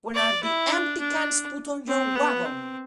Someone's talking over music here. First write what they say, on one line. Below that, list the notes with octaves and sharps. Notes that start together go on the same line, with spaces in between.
When are the empty cans put on your wagon?
D5
E4
D4
D4
C4
B3
C4